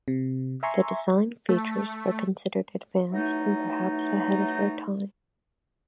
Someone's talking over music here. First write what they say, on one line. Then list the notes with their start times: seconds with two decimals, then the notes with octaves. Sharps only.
The design features were considered advanced and perhaps ahead of their time.
0.08 C3
0.63 E5 G#5 A#5 C6 C#6
1.49 A3
3.12 E3 F#3 A3 D#4